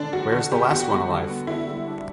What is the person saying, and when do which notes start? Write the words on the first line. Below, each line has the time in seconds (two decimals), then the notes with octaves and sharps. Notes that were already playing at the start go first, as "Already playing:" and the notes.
Where’s the last one alive?
Already playing: D3 D4
0.13 F#3 F#4
0.31 D3 F#4
0.51 B3 G4
0.70 D3 F#4
0.89 G3
1.09 D3
1.29 B3
1.47 D3 E4
1.68 G3
1.87 D4